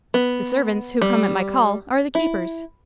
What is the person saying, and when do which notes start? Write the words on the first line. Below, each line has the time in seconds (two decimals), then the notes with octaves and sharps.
The servants who come at my call are the keepers.
0.14 B3
1.02 G3
2.15 E4